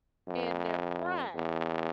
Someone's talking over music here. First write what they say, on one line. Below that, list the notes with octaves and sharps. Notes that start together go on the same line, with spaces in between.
and their pride.
F2
E2